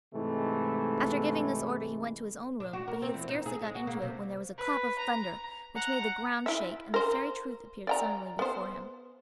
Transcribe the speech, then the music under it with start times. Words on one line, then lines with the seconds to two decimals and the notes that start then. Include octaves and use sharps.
After giving this order he went to his own room, but he had scarcely got into it when there was a clap of thunder which made the ground shake, and the Fairy Truth appeared suddenly before him.
0.14 G#2 C3 E3 G#3 A3
2.60 D4
2.73 F#4
2.88 A#4
3.02 C4
3.14 E2
3.29 D#4
3.46 G#4
3.61 G#3
3.75 F#4
3.87 A#3
4.02 C3
4.58 B4
4.99 A#5
5.75 F#5 A#5
6.46 E4 E5
6.94 A#4 C5
7.87 D5 G5 A#5
8.39 B3 C5